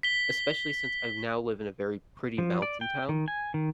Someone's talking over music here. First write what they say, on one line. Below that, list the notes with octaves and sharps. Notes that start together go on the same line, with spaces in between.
especially since I now live in a very pretty mountain town,
B6 G7
F3
D5
G5
D#3
G#5
D#3